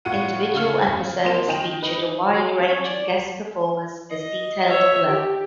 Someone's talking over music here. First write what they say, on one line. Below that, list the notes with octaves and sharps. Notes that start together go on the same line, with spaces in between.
Individual episodes featured a wide range of guest performers, as detailed below.
A2 F4 F#5 D#7
C#3 A3 F4 F6 C#7
F3 A#3 A5 C6 E7
D#3 D#5 G5 E7 F#7
D#4 B4
F#3
C#4
D5
D#5
C#5 E5
G4